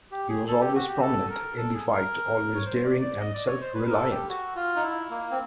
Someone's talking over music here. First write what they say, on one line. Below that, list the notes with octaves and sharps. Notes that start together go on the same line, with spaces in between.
He was always prominent in the fight, always daring and self-reliant.
G4
G#4
A4
G4
F#4
G4
A4
A#4
A4
G#4
A#4
C#5
C5
D5
D5
D#5
D5
C#5
C5
B4
A#4
A4
G4
F#4
F4
D#4
E4
A#3
C4